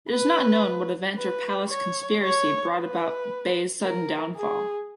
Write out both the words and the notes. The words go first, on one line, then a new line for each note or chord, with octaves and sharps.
It is not known what event or palace conspiracy brought about Bay's sudden downfall.
B4
B4
C#5
C#5
B4
A#4
G#4